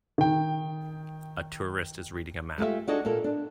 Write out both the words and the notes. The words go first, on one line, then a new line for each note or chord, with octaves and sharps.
A tourist is reading a map.
D#3 G5
G#3 A3 F4 G4 E5
D4 D#4 F#4 G#4 A4 D#5
A#2 E4 A4 A#4
D4